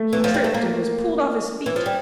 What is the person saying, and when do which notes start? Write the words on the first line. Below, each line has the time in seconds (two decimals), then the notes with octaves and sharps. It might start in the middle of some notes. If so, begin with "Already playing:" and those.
He tripped and was pulled off his feet.
Already playing: A3
0.13 E3
0.24 F3
0.34 G3
0.44 A3
0.54 A#3
1.66 E3
1.76 F3
1.86 G3